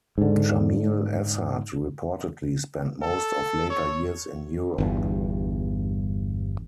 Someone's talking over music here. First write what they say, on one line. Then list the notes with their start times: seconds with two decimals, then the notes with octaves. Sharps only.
Jamil Assad reportedly spent most of later years in Europe.
0.18 G#2 D3
3.02 A4
3.70 C#5
4.78 G1 E2 G2